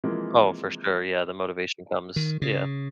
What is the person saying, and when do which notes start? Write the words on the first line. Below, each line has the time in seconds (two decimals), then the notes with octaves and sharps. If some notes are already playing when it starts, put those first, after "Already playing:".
I oh, for sure, yeah. The motivation comes, yeah.
0.04 C3 E3 F3 G#3 A#3
2.16 D#3
2.42 C#3